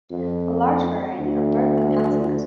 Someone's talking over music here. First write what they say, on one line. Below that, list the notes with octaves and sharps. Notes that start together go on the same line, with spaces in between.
A large variety of birdlife inhabits the reedbeds.
F2
D2